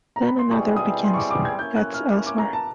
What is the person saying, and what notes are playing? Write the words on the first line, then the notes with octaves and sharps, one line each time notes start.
Then another begins - that's elsewhere.
A#5
B5
C6
B2 G3 C4 E4 G#4 C#6
D#6
C6
C#6
D6
D6
G#6
A#3 C#4 E4 G6
F#6
F6
F6
D6
A#5
A5